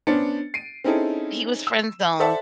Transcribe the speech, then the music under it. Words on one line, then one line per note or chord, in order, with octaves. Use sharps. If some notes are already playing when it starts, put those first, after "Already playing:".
he was friend zoned
B3 C#4 D4 C5 A6 C#7
C7 D7 D#7
C4 C#4 D#4 E4 G#4 A4
E6
A4 C5 D5 E5 F#5 A5